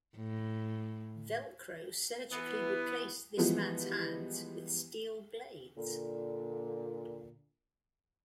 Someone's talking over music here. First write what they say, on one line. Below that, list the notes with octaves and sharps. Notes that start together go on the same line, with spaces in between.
Velcro surgically replaced this man's hands with steel blades.
A2
E3 B3
E3 F3 G3 G#3 B3
A#2 D3